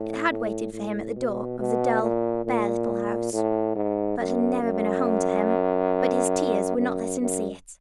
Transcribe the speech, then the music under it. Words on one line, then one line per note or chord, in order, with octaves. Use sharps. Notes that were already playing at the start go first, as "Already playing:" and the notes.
It had waited for him at the door of the dull, bare little house that had never been home to him, but his tears would not let him see it.
Already playing: A2
A2
A2
B2
B2
A#2
A#2
A2
G#2
F#2
F#2
F#2
F#2